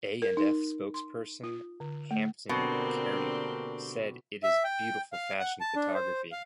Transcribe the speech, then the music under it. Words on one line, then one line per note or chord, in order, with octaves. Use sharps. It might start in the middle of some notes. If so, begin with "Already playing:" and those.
A and F spokesperson Hampton Carney said, it is beautiful fashion photography.
A#4
D#4
C6
F4
D3
A3
B2 D3 A#3 C4 D4 G4 A#4
E5
G5
F5
F#5
A5
D4
C5
F5